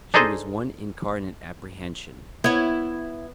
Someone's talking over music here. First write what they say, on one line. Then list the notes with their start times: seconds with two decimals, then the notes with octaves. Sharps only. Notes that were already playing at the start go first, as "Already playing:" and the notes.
She was one incarnate apprehension.
0.14 D4 D#4 G#4 A4 C5 D#5
2.44 B3 E4 C#5